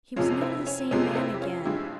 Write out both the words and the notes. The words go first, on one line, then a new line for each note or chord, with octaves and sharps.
He was never the same man again.
F2 C3 F3 G#3 C#4 F4
C4 E4
C#4
F2 C3 F3 G#3 C#4
C4 E4
G4
C#4 F4
G2 F3 G#3 E4 G4